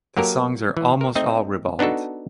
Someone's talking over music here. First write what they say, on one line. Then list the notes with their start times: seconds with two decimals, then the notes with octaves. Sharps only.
The songs are almost all ribald.
0.17 F#3 A#3 G4 A4 A#4
0.77 E3
1.01 A#4
1.15 A3 C4 D#4 D#5
1.79 B3 D4 D#4 F#4 A4